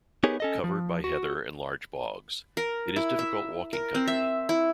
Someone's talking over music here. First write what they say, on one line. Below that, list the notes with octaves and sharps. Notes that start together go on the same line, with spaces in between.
Covered by heather and large bogs, it is difficult walking country.
B3 D#4 G4 G#4 A#4 C#5
C#4 A4 D#5
F3
F#4
A#4
E4
E5
A#4
C4
E5
E4